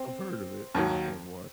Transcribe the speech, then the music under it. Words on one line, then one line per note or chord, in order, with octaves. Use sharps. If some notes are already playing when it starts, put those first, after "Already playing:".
I've heard of it. I just didn't wa
Already playing: C4
D#2 D#3 F#3